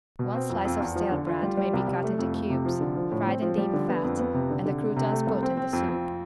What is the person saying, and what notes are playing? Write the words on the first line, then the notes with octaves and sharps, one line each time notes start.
One slice of stale bread may be cut into cubes, fried in deep fat, and the croutons put in the soup.
B2
C4
F2
F2
E2
F3
D3
F4
G3
G3
C2
C2
A3
F2
A3
C3
F3
D3
F3
A2
C4
F3
G3
D3
B3
F2
B3
C3
D3
D3
C3
C3
A3
C2
C4
C4
F2
F2